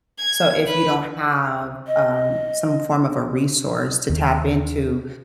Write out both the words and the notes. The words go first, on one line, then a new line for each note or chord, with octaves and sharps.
so, if you don't have, um, some form of a resource to tap into,
G#6
B4
D#5
D#2 D#3